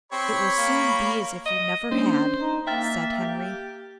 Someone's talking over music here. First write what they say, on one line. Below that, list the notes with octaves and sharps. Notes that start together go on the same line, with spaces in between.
"It will soon be as if you never had," said Henry.
C4 G4 C#5 B5
A#3
D#5
A#3 C#4 D4 C5
D#4
A#3 E5 G5 F6 A6
G4